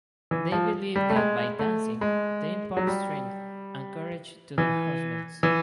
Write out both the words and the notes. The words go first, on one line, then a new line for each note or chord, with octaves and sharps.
They believe that by dancing they impart strength and courage to their husbands.
E3
F3
G3
A3
G#3
A3
G#3
F#3
G3
E3
E3